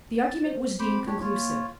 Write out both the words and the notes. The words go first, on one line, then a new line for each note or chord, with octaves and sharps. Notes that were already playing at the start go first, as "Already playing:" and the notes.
The argument was deemed conclusive.
A6
C5
C4 C5 B5 D6
D4 F4 G4 C#5
A#3 F4 C#5